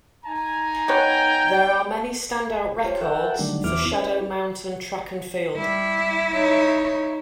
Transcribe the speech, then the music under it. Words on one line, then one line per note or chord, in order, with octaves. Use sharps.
There are many standout records for Shadow Mountain Track and Field.
D#4 G#5 A#5
B2 B4 C#5 G5
F4 G4 C5 C#5
A4 A#4 E5 F#5 G5
D3 D#3 F#3 G3 A3 D4
E2 E3 B3 E4 D6 F6
C#4 E4 B4
G3 E4
D#4 C#5